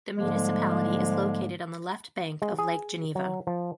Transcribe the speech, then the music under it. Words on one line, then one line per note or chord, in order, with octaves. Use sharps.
The municipality is located on the left bank of Lake Geneva.
G#2 D3 F3 G3 G#3 A#3
G#3
G#4
F#3
F3